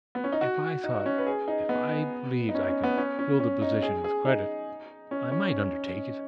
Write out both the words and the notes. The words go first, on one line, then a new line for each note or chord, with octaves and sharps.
"If I thought--if I believed I could fill the position with credit--I might undertake it."
B3
C#4
D#4
F#4
D#4
C#4
B4
G#4
D#4
B3
D#4
C#4
C#4
B3
C#4
C#4
C#4
D#4
G#4
G#4
D#4
C#4
C#4